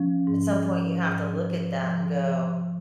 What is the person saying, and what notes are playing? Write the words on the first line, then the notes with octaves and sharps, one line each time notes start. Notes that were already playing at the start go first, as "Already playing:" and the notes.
At some point you have to look at that and go
Already playing: F3 C#4
G#2
F3
G#2
F3
F3
F3